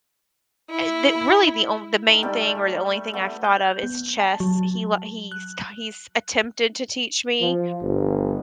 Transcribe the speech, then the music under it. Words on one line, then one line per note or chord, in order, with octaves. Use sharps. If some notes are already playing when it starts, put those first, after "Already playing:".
eh, that really the onl the main thing or the only thing I've thought of is chess. He li he's ki he's attempted to teach me
E4
D#3
G3 A3 G4 D5
C#6
A3 B3
G6
B3
A5
F#3
F#6
F3
G1